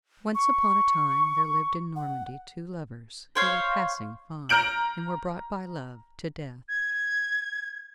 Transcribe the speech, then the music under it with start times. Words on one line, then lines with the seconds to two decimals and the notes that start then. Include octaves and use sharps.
Once upon a time there lived in Normandy two lovers, who were passing fond, and were brought by Love to Death.
0.35 C#6
1.96 F#5
3.35 C5 C#5 F5
4.49 A#5 F6 G6 D7 F#7
6.69 G#6